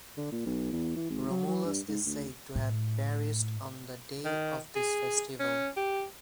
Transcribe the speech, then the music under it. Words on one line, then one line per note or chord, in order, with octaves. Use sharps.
Romulus is said to have perished on the day of this festival.
D3
A#2
B1
E2
E3
G#1
F#3
F#3
G2
G#2
D2
A2
D#3
G#4
C#4
G4